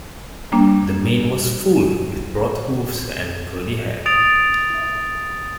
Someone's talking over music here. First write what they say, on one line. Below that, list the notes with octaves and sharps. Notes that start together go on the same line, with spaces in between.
The mane was full, with broad hooves and curly hair.
G3 A#3 D4
D#6 A6 D7 F7